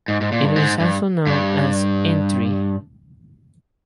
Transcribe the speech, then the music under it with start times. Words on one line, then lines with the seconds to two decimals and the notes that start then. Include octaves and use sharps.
It is also known as "Entree".
0.08 G#2
0.21 G#2
0.32 A#2
0.44 G2
0.56 G#2
0.80 G2
1.27 G2